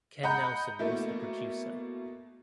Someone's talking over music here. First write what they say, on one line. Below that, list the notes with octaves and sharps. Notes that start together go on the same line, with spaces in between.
Ken Nelson was the producer.
D#5 F#5 A#5 B5 G6
B2 A3 A#3 E4